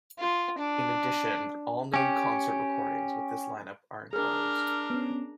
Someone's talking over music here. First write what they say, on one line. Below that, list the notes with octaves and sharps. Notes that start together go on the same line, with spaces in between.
In addition, all known concert-recordings with this line-up are enclosed.
F4
D4
C#4 G4
D4 G#4 A#4 A#5 F6
B3 C#4